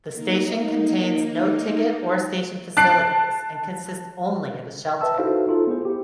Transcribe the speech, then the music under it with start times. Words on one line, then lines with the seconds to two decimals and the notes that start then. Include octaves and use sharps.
The station contains no ticket or station facilities and consists only of a shelter.
0.13 A#3 D#4
2.77 A5 F#6 C7 D7
5.01 B4 E5 A5 E6
5.18 D#4 E4 F#4 A4 C5 F5
5.47 D#4 F4 A4
5.67 B3 E4 G#4 C5
5.85 E4 G4